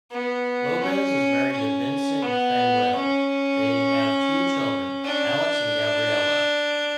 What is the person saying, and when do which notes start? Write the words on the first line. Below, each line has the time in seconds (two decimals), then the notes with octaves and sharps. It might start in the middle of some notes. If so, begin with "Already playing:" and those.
Lopez is married to Vincent Fanuele; they have two children, Alex and Gabriella.
0.12 B3
0.82 C#4
1.52 C#4
2.23 B3
2.94 C#4
5.05 D4